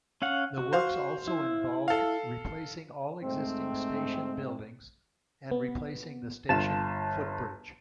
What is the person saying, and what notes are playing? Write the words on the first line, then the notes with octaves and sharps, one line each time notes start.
The works also involved replacing all existing station buildings, and replacing the station footbridge.
C#4 F5 F#5
F#4
C5 F5
E4
A4 F5
G#2 A3 C4
B3
G1 F4 A5 E7